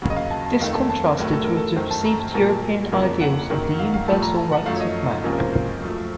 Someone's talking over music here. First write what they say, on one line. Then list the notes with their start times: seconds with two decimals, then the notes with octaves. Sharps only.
This contrasted with perceived European ideals of the universal rights of man.
0.02 D#2 C#3 F#3 F#4
0.10 D#5
0.17 F5
0.31 A5
0.46 A5
0.60 F2 D#3 A3 F5
0.75 A5
0.90 A5
1.04 A#4
1.18 A2 F#3 A3 A#4
1.33 A4
1.44 A#4
1.57 A4
1.76 F#2 D#3 A3 C5
1.91 A5
2.06 A#5
2.20 A5
2.34 A#2 F#3 A#3 A5
2.49 A5
2.92 F2 C#3 F3 A#3
3.21 F#5
3.50 F#2 D#3 A#3
3.79 F5
3.94 F5
4.08 A2 F3 A3 A5
4.22 A#5
4.37 A5
4.52 F#5
4.66 F#2 F3 A3 F5
4.76 C#5
4.80 D#5
5.10 D#4
5.24 C#2 C3 F3 A#3 C#4
5.32 A#4
5.38 C5
5.53 C5
5.82 F#2 F3 A3